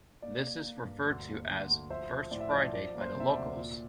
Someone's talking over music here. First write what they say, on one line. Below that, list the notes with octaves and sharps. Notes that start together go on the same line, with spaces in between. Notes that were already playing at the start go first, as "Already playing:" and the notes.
This is referred to as "First Friday" by the locals.
A#3 D5
A#3
A#3
G2
D2
A#3
D3
D2
F3 C5 E5
F3
A2 D5
E5
F3 D5
F3 D5
A#3
C5
C3
E5
D5
D2
A#2